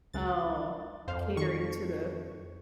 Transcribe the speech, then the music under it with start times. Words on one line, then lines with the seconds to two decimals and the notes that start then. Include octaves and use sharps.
Oh, catering to the
0.14 C#2 A6
1.08 F2 C5 F5
1.37 D#3 C#6